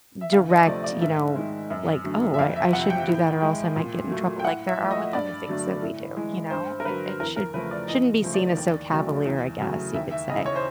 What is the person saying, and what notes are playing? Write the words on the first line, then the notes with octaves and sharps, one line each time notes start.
direct, you know, like, "Oh, I I shouldn't do that or else I might get in trouble," like there are with other things that we do, you know? It it should shouldn't be seen as so cavalier, I guess you could say,
E5
D2 F5
D#5
C3 F3 A3 D5
D5
G#2 E5
D#3 G#3
F#2
D3 F#3 A3
E5
F2 F5
E5
C3 F3 F#5
G5
A2
E3 G#3
A#2
F#3 A3
G5
A2 F#5
E5
F3 A3
D#5
G2 D5
D3 F#3 A3
A2
E3 G#3
G2 C5
A#4
D3 F#3 B4
E2 A#4
A#4
C#3 F3 A3 B4
D5
E2 D#5
C#3 F3 A3
D5
D#2
C#3 F#3 A3
E2
C#3 F#3 A3
D#2 E5
E5
C#3 E3 D#5
C#5
C5